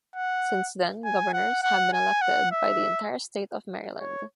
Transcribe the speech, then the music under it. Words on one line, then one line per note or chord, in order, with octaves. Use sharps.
Since then, governors have been elected by the entire state of Maryland.
F#5
G#5
F#5
F#5
G#5
F#5
E5
C#5